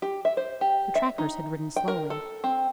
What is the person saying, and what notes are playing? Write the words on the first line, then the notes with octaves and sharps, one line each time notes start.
The trackers had ridden slowly.
G4
E5
C5
G4
E5
D#4
G5
A#4
A4
C4